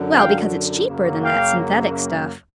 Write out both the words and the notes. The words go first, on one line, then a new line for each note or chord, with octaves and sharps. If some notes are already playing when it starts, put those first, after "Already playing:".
"Well, because it's cheaper than that synthetic stuff."
Already playing: F#2 D3 F#3
F5 G5
F#2 C#3 F#3 A#3
F5 G5